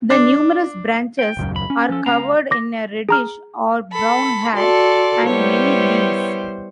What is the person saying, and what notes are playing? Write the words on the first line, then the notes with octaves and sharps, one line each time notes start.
The numerous branches are covered in a reddish or brown hair and many leaves.
D4
G5
D#1 C#2 F#2
B5
C#4
F3 A4
C#2 F5 A#5
D6 A#6
G#4 A#5 F6
A4 B5
F#4 A4 D5 C6
G3 B3 E4 C5 C#5